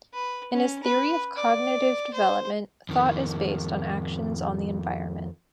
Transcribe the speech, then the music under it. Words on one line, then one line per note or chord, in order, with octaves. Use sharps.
In his theory of cognitive development, thought is based on actions on the environment.
B4
C#4
B4
D5
C5
F2 D#3